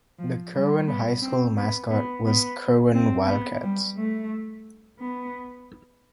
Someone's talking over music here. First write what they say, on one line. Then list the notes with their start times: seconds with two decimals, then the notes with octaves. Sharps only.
The Kirwin High School mascot was Kirwin Wildcats.
0.19 F3
0.54 G3
0.88 B3
1.22 C4
1.57 B3
1.90 B3
2.25 B3
2.94 C4
3.27 B3
3.62 G3
3.96 A3
4.99 B3